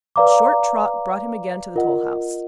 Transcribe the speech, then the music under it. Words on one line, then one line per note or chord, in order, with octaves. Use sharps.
A short trot brought him again to the toll-house.
B4 D5 F5 A#5 D6
F4 A#4 D#5 F#5